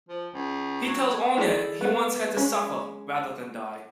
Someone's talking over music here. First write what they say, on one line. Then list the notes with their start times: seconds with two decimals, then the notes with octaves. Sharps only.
He tells Anya he wants her to suffer rather than die.
0.09 F3
0.34 C#2
0.86 F#3
1.37 E4 G#4 A4 B4 D5
1.81 B3 F#5
2.37 G#3 C#4